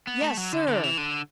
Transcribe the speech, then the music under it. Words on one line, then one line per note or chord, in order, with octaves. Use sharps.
"Yes, sir."
B3
A3
F#3
D3
D3
E3
D3